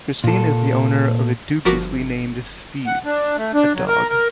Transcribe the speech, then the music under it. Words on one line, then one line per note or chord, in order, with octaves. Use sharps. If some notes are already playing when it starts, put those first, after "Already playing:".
Christine is the owner of the dubiously named Steve, a dog.
A#2 A4
G1 F3 F#4 A#4 D6 B6
F#5
D4
A3
D4
F#3
A#4
A#4